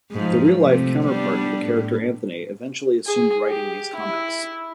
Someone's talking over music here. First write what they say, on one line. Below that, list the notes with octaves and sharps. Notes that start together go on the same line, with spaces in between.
The real-life counterpart to the character Anthony eventually assumed writing these comics.
G#2 F3
C3 A3
G3 B3 D4
A2
G#4
G4
E4